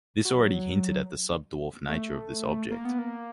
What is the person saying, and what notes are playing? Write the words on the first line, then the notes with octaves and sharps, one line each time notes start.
This already hinted at the subdwarf nature of this object.
F#3
A3
A#3
B3
A#3